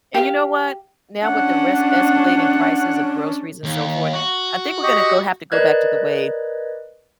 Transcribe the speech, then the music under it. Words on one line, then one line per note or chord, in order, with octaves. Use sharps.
And you know what? Now with the res escalating prices of groceries and so forth, I think we're gonna go have to go back to the way
G4 F5
C#4 D4 F#5
D#2
F#4
G4 D#5 C#6
A#4 B4 D5 D#5 F#6 G#6